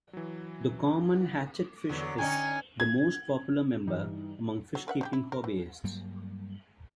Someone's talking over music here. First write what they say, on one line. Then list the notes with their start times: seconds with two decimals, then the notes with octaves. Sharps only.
The common hatchetfish is the most popular member among fish keeping hobbyists.
0.13 E3 F#3
1.89 E2 D3 F#3 B4
2.18 D3 C#4 D#4 G5 G#5
2.80 G#6
3.87 G2 E3 G3 D#4
4.75 F#3
4.88 A#4 E5 F#5
5.01 C#3 D#4 G4
5.13 E4
5.32 A#4
5.44 E3
5.84 G2 F#3 G3 A#3